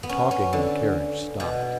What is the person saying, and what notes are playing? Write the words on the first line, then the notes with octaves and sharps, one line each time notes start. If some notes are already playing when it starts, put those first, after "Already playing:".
The talking in the carriage stopped.
B3
C#4
C#4
D3
B2